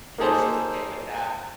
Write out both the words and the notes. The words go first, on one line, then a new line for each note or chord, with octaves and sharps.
and she's okay with that,
A#3 D#4 G#4 A4 C5